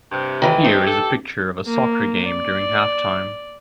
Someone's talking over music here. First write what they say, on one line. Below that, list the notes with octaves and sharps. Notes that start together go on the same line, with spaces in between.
Here is a picture of a soccer game during halftime.
G2 C3
D#3 E3 A3
A3 C4 D#4 G4
A4
A#3
D5